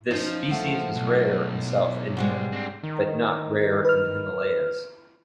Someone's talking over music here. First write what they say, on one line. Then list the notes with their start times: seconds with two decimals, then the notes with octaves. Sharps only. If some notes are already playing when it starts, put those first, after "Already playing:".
This species is rare in South India but not rare in the Himalayas.
0.11 F3 C#4 D#4
0.51 D#2 A3 F#5
0.95 B1
2.17 G#2 G3 G#3
2.52 C4 D4
2.83 D#3
3.85 B4 F6